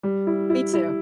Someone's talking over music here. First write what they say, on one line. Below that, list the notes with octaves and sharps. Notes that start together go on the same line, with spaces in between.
Me, too.
G3
E4
E4
E4